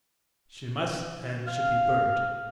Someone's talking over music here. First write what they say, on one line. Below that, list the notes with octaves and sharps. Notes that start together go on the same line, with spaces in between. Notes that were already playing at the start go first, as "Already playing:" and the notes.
She must and should be burnt.
F5